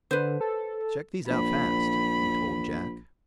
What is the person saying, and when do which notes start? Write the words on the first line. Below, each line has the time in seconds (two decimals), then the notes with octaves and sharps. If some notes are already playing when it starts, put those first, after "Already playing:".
"Check these out fast," he told Jack.
0.11 D3 B4 C5
0.41 A4
1.29 A#1 B5